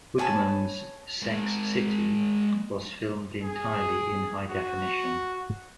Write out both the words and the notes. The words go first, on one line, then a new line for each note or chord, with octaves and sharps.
Woodman's "Sex City" was filmed entirely in high definition.
C#5 G#5 A5 B5
G#3 A#4
G#4
F#4